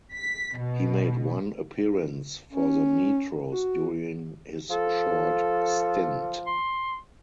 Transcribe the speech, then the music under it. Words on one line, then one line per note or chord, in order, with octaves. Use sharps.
He made one appearance for the Metros during his short stint.
B6
B2
C#4
F#4
F3 A4
C6